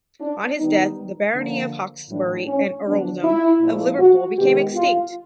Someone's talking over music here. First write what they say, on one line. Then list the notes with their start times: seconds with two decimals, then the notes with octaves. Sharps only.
On his death the Barony of Hawkesbury and Earldom of Liverpool became extinct.
0.21 D4
0.59 D#3 G3 B3 D#4
1.34 D3 F3 A#3
2.09 A2 E3 A3 D4
2.47 C#4
2.85 D3 F#3 B3 D4
3.23 E4
3.61 A#2 F3 G#3
3.99 F#4
4.37 C3 D#3 G#3 B3 G4
4.74 F4